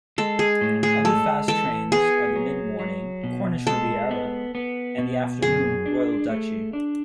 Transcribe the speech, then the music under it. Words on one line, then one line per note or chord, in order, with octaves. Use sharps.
Other fast trains are the mid-morning "Cornish Riviera" and the afternoon "Royal Duchy".
G#3 A4
G#4
A2
G#4
G#3 A4
E3 A4
B3 G#4
F#3
F#3
B2
G#3 A4
B3
B3
B2
F#2 G#4
D4
A3
D4